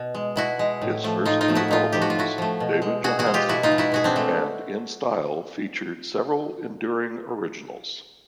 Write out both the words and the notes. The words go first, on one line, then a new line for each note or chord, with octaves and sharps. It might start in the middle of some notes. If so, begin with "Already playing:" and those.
His first two albums, "David Johansen" and "In Style", featured several enduring originals.
Already playing: B2
G#3
B2 E4 F#4
G#3
A2
F3 A3
A2 D#4 F4
D#4 F4
F3 A3
E4 F#4
A2 D#4 F4
F3 A3 G4
F#4
F4
A2 E4 F#4
F3 A3
B2
G#3
B2 F#4 G#4
F#4 G#4
G#3
F4 G4
B2 E4 F#4
D#4 F4
G#3
E4 F#4
B2 F#4 G#4
C4 D4
G#3 A3